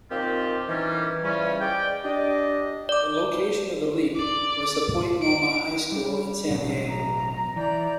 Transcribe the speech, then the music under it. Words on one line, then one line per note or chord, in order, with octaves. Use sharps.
The location of the "leap" was the Point Loma High School in San Diego.
A#2 D#3 F3 C4 F4 G4
D#3 E3 G3 C#4
C#3 E3 F3 G3 C#4
G#3 D5 G5
D4 G4 D#5
D5 D6
D5
D7
G3
A1 B2 F#3
A#5
E3 D5 A#5 G6